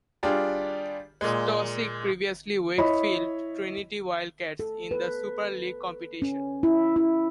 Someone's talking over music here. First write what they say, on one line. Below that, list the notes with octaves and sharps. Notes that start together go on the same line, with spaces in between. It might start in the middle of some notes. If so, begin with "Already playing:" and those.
Stosic previously Wakefield Trinity Wildcats in the Super League competition.
G3 D4 F4 G4 G#4
A#2 G#3
E4 C#5 D#5 B5
A4
B4
C#4
E4
E4